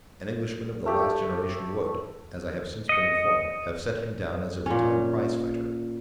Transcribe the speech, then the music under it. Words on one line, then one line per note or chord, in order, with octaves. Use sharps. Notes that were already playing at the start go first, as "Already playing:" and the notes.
An Englishman of the last generation would, as I have since been informed, have set him down as a retired prize-fighter.
A3 G4 A4
D#5 C#7 D#7
A#2 C#4